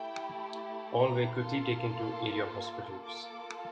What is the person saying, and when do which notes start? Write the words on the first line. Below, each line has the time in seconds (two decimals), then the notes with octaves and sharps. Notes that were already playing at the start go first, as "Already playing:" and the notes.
All were quickly taken to area hospitals.
Already playing: A3 E4 G4 G5
0.95 A#5
1.37 A#3 F4 A4 C6
3.04 A#3 F4 A4 D6